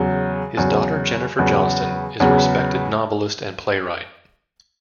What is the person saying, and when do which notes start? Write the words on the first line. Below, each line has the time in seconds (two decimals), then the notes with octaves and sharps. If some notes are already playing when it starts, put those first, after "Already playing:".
His daughter Jennifer Johnston is a respected novelist and playwright.
Already playing: E2 C#3 F#3
0.57 E2 C#3 F#3
1.39 E2 C#3 F#3 B3
2.20 E2 C#3 F#3 B3